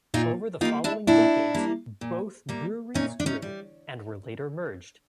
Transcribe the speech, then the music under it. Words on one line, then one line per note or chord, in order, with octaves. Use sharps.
Over the following decades both breweries grew and were later merged.
A#2 D#4 F4
G3 A#3 D#4 F4
D4 E4
A#2 D4 E4
G3 A#3
A#2
G3 A#3
A#2 C#4 D#4
D4
C#4 D#4
G3